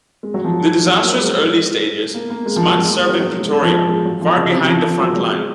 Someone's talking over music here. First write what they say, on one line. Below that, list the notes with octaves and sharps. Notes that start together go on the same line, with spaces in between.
In the disastrous early stages, Smuts served in Pretoria, far behind the front line.
G#3
F#3
F3
F#3
A#3
G#3
A#3
A#3
G#3
F3
F#3
G#3
A#3
G#3
F#3
F#3
G#3
G#3
F3
G#3
F#3
F3
C#3
C3
F3
F3
F#3
G#3
F#3
G#3